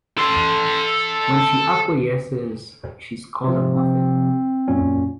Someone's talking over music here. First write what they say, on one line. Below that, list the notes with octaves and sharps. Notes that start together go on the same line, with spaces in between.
When she acquiesces, she is called a muffin.
A4 C6
C3 F3
C4
F#2 A#2 C#4